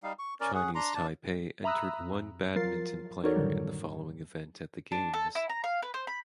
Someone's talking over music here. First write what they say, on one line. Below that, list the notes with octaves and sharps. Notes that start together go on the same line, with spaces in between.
Chinese Taipei entered one badminton player in the following event at the Games.
G3 D#4 F5
C#6
C#4 A#4 D5
C#4 G#4 F#5
D4 A#5 C6
D4 A5
E5 A#5 B5 D#6 E6 F#6
F2
F3 F#3 F4 A#4 A6 C7
D#4 F#4 A4 A#4 C#5 D5
F#2 A2 D3 D#3 F#3 G3
D4
A4
E4
A#5
F5
B4
C5
B5